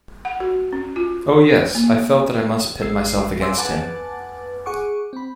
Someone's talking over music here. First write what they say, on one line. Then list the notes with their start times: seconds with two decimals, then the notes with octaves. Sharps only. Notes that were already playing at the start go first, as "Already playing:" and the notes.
Oh yes, I felt that I must pit myself against him.
0.25 F#5
0.40 F#4
0.73 C#4
0.96 F4
1.75 A#3
2.81 A1 G#3 E6 C7
3.40 F5 G#5 C6 D6 E6
3.58 B4 F#5 G#5 A5 D6 A6
4.66 G#4 F#5 C#6 D6
5.13 C4 B5